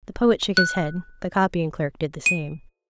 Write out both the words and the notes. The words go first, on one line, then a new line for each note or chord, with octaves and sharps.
The poet shook his head, the copying-clerk did the same.
F#6
D#7